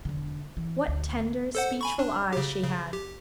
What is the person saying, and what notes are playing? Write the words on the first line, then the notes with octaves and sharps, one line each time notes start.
What tender, speechful eyes she had!
E1 D3
E3
D2
A4 C5 F#5
G#5 B5 C#6
D4
C#3 G4
C#3
G4